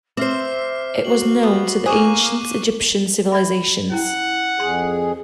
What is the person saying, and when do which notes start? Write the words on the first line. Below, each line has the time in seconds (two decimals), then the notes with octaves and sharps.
It was known to the Ancient Egyptian civilizations.
0.17 C4 C5 E5 D6 F6 C7
1.05 F#4 F#7
1.43 B3
1.86 A#3 G#4 C#6 D6 F#6
3.32 D5 E5 B5
3.92 C#4 E4 F#5
4.60 F2 G#4 C6